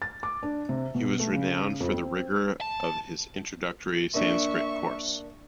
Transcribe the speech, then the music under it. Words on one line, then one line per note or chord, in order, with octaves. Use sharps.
He was renowned for the rigor of his introductory Sanskrit course.
A6
D6
D4
C3
B2
A3
C#3
F2
C4
A5
A#3 D4 E5 C#6